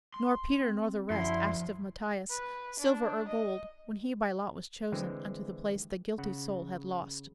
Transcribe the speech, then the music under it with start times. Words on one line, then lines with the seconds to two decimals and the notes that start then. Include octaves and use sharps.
Nor Peter nor the rest asked of Matthias Silver or gold, when he by lot was chosen Unto the place the guilty soul had lost.
0.14 C6
0.61 C4
1.10 F#2 D3 F3 E4 F#4 C6
2.30 B4
2.79 D4
3.28 D#5
4.92 D3 E3 G#3 C4
6.18 C#3 F#5